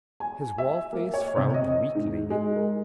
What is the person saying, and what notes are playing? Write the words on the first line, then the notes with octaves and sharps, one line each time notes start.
His wallface frowned weakly.
G#5
E5
A#3
C#5
C3
D#5
G#2
G#3
A#4